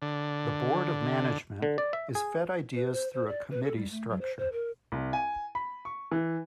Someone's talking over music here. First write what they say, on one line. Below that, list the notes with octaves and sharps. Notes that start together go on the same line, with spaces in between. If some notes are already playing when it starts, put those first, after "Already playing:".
The Board of Management is fed ideas through a committee structure.
D3
D3
D5
E5
G#4
B4
C5
C5
D5
B4
A4
G3
A3
F#3
C5
C5
A#4
C2
G#5
B5
C#6
E3